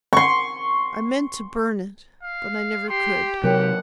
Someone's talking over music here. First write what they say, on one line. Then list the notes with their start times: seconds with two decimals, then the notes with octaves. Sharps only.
I meant--to burn it--but I never could.
0.13 C6 C#6
2.23 F5
2.89 G4 C6
3.44 C3 F#3 A#4 C#5 F#5 G5